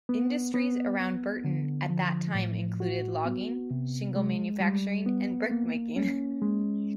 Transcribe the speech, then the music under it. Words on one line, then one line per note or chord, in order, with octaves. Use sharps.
Industries around Burton at that time included logging, shingle manufacturing and brickmaking.
B3
B3
B3
D3
F3
A2
F#4
B3
C3
G#3
G3
B3
A#3
C#4
G#3